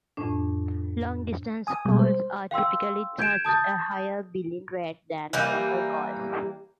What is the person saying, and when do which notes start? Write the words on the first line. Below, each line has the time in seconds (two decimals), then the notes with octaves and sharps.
Long-distance calls are typically charged a higher billing rate than local calls.
0.17 F2 A2 D4
1.67 G#5 D#6
1.85 B2 G3 G#3
1.99 C5
2.51 F5 G5 C6 E6
3.19 G6 G#6 D7 E7
3.45 A5 D#6 G6 A6
5.33 E3 G3 A#3